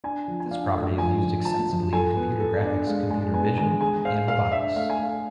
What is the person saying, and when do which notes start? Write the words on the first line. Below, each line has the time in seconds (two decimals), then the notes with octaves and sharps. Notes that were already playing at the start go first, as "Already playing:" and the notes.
This property is used extensively in computer graphics, computer vision and robotics.
0.04 D4 G#5
0.28 F3
0.40 G#5
0.51 D4 F5
0.75 A3
0.98 F3 G#5
1.22 F3
1.45 F3 A5
1.70 F3
1.93 A4 G#5
2.16 B3
2.40 A4
2.63 D4
2.87 G#3 F5
3.10 G#3 G#5
3.34 B3 G#5
3.58 G#3 G#5
3.81 G#4 G#5
4.05 C5 F5
4.28 C5 F5
4.52 D4 E5
4.76 A3 F5
4.90 G#5
4.99 A3 F5